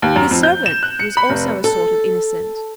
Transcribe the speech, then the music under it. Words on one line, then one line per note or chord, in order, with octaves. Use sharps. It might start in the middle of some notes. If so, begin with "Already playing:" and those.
His servant was also a sort of innocent.
D#2
F#2
F2
G6
E7
F#6
C#7
B5
F1
A4